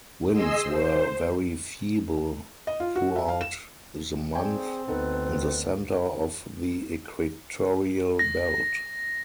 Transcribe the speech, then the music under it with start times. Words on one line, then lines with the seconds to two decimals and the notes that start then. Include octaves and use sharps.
Winds were very feeble throughout the month in the center of the equatorial belt.
0.31 G#4 D#5 C6 E6
0.63 C5
2.67 D#5
2.80 F4
2.96 F#4
3.16 E5
3.28 F5
3.41 E7
4.35 C4 G#4 D5 G5 G#5
4.88 D2 B3 D#4 A4 B4
8.19 A#6